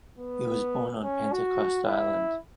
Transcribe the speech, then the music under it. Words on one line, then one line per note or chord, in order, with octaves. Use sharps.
He was born on Pentecost Island.
B3
C#4
F#4
E4